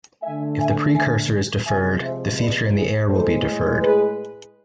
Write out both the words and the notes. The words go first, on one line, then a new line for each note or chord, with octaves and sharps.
If the precursor is deferred, the feature in the heir will be deferred.
D3 A3 E5 G#5
E5 G#5
E5 G#5
C3 F3 G#3 E5 G#5
C5 E5
B4 D5
E4 G#4
A2 G#3 A4 C5
G#4 B4